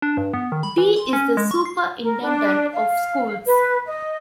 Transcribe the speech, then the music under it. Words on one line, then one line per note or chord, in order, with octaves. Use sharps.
D is the Superintendent of Schools.
D4
G2
B3
D#3
B5
E3
C6
C#4
G#3
C#6
C7
A#4
D4
F5
B4
D#5